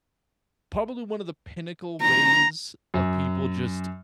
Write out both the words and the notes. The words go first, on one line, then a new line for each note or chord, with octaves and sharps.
probably one of the pinnacle ways of people just
A#5
F#2